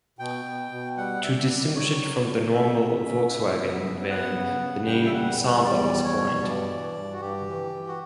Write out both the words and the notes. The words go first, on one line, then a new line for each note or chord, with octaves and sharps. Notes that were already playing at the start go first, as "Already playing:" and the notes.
To distinguish it from the normal Volkswagen van the name "Samba" was coined.
B2 G5
B2
B2
G3 F#5
G3 E5
D5
E5
G3 D5
F#3 C#5
F#3
D5
F#3
C#3 E5
C#3
C#4
C#3
B3
B3
B3 F#5
C#3
C#3
G3 G5
E5
E2 F#5
G3
E2 D5
G3
C#5
B2
G2 D5
E3
G2
F#4
G2 G4
E3
E3
F#4